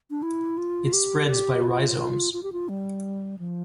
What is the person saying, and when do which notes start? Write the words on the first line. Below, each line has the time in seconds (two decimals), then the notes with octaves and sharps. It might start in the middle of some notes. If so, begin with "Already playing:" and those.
It spreads by rhizomes.
0.10 D4
0.22 E4
0.58 F4
0.93 G4
1.28 G4
1.63 F4
1.98 F4
2.33 F4
2.43 G4
2.53 F4
2.69 G3
3.39 F3